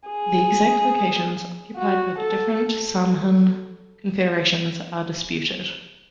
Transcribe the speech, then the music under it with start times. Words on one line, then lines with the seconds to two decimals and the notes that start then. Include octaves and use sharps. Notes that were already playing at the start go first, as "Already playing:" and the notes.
The exact locations occupied by the different Samhan confederations are disputed.
0.09 G#4
1.76 F#4
2.19 A4